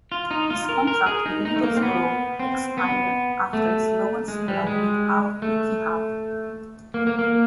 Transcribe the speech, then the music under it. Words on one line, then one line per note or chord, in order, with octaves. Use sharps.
His contract with Middlesbrough expired after his loan spell with Al-Ittihad.
F4
D#4
F4
A#4
A#4
G#4
D#4
D#4
A3
A#3
C4
B3
C4
B3
A3
G#3
G3
G#3
A3
A#3
A#3
A#3